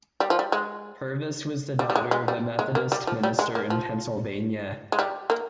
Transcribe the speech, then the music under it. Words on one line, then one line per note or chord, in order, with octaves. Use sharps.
Purvis was the daughter of a Methodist minister in Pennsylvania.
G3
F3
G3
G#3
G3
G3
G#3
G#3
G3
G#3
A#3
G3
F3
G3
G#3
A#3
F3
G#3
G3
A#3